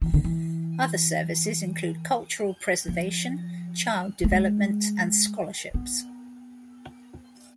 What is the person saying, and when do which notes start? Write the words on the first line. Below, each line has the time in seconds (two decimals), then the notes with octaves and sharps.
Other services include cultural preservation, child development, and scholarships.
0.02 E3
0.14 D3
0.24 E3
2.88 F3
4.24 A3
4.31 G#3
5.74 B3